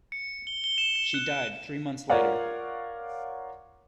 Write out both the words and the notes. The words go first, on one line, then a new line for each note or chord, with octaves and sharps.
She died three months later.
C#7
G7
G7
E7
E7
F#6
F4 A#4 C#5 D5 F5 F#5